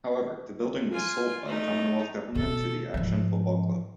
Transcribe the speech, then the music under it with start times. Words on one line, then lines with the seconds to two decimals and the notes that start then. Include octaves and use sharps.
However, the building was sold by the Commonwealth government to the Acton Football Club.
0.92 F4 G#5
1.45 A3 D#4
2.35 B2 A4
2.94 G#2 F3